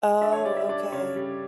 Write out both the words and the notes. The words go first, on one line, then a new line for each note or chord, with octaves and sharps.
Oh, okay.
D4 E5
C#5
G3 D5
E5
D4 D5
C#3 C#5
G3